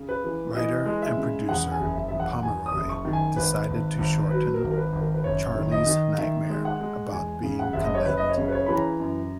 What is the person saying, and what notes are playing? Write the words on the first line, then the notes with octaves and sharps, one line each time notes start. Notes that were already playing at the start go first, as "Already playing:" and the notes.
Writer and producer Pomeroy decided to shorten Charlie's nightmare about being condemned.
Already playing: C#3
B4
E3
E3 D#5
G#3
E5
C#3
E2 F#5
G#5
F#1
E5
E2 E5
F#5
E2 G#5
D#6
F#1
C#6
D#3
G#5
G#1 B4
G#1
G#1
F#3 B4
A#4
G#1
A#4
B4
G#1
A#4
B4
F#1 C#5
D#3
D#5
D#3
D#3 E5
G#3
F#5
G#3
E2 G#5
C#3
F#5
F#1 E5
D#5
C#5
F#1 B4
D#5
C#5
C#3
B4
C#5
E3 B5
A#5
F#2